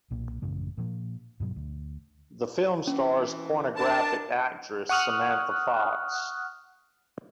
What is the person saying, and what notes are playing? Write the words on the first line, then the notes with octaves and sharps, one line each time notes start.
The film stars pornographic actress Samantha Fox.
B1 A#2
A1 F#2 C#3 G#3
A#2 F3 A#3
G2 B2 F#3
D2
E3 C#4
D4 A#4 A5
F#5 C#6 D#6 F6 F#6